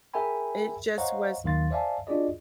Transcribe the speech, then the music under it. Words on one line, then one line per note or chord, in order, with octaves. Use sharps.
it just was
G#4 A#4 E5 G5 G#5 B5
C5 C#5 D#5 F5 F#5 A#5
D#2 D#3 F#3 F5 C6 A6
C5 D5 E5 F5 G#5 A5
D4 F4 F#4 G#4 D5 D#5